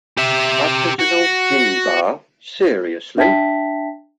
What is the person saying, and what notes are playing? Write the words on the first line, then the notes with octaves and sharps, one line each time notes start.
Artisanal gin bar, seriously?!
G4 E5
F#4
D4 E5 G5 A5 B6